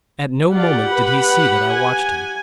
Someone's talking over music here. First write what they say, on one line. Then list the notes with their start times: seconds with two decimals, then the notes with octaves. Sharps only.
At no moment did he see that I watched him.
0.54 F4 G4 D5 F#5
0.90 B4 B5
1.71 G#5